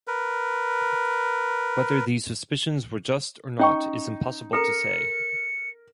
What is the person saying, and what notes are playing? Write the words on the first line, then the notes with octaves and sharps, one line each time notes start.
Whether these suspicions were just or not is impossible to say.
A#4 B4
C#4 D#4 G5 C#6
A4 A#4 A#5 C#7